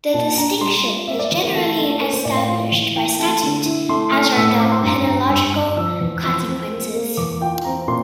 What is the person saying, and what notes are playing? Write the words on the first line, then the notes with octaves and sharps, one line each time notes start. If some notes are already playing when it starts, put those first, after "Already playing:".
The distinction is generally established by statute, as are the penological consequences.
A#2 A5
D4 A#5
G3 C6
F4
C4 E5
D5
E3
A#4
A3 A4
A3 A4
A#3 A#4
C5
A2 D5
F5
F4
E3
E4 G5
A3 A5
D3
E4
A3 C6
A3 F6
A2 E6
E6
C4 D6
C6
G2 A#5
G2 A#5
G2 E6
G2
F3 E6
E2
F3 E6
C4
A#3
A#3
E2 D6
F4 G5
C4 A#5
A#2 C6